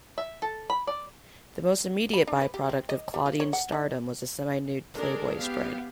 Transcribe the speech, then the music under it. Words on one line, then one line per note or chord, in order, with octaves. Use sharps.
The most immediate byproduct of Claudine's stardom was a semi-nude "Playboy" spread.
E5
A4
B5
D5
B5
D4
B4
G4
C4
D#5
G3
F4
C#5
F#5
D#4
G#3 D4 A4 A#4
B3 G4 F5